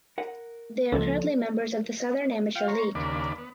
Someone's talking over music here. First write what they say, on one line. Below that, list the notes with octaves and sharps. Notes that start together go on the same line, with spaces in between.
They are currently members of the Southern Amateur League.
A#4 F#5
C#2 F3 A#3 A4
F4 F5 G5
C#5 A#5 C6 C#6
D#2 C#3 A#3 D4 D5 B5
B3